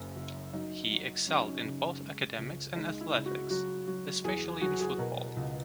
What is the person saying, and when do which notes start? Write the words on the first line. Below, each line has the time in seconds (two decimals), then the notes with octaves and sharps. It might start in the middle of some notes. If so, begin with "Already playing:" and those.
He excelled in both academics and athletics, especially in football.
Already playing: F#1 F#2 C#3
0.16 F#1
0.53 F#3 D#4
0.91 F#3
1.27 F#3 C#4
1.37 D#4
1.46 C#4
1.65 C#3
2.02 G#3
2.38 C#2
2.76 G#3 D#4
3.01 E4
3.13 C#3
3.26 F#4
3.50 F#3 F#4
3.87 F#3 F#4
4.24 E2 G#4
4.61 F#3 F#4
4.81 G#4
4.98 B2 A#4
5.36 C#2